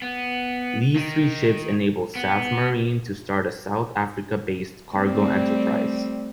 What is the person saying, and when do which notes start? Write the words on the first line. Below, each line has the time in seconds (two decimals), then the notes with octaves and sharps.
These three ships enabled Safmarine to start a South Africa-based cargo enterprise.
0.02 B3
0.96 D#3
2.15 B3
4.95 G3 A3 C4